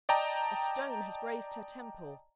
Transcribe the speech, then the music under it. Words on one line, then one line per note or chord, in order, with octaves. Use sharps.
A stone has grazed her temple.
D5 D#5 G5 A5 A#5